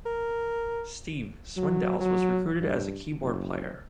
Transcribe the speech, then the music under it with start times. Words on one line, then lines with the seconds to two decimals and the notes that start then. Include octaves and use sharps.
Steve Swindells was recruited as keyboard player.
0.06 A#4
1.57 F#3
2.00 F#3
2.61 G2
3.21 F#1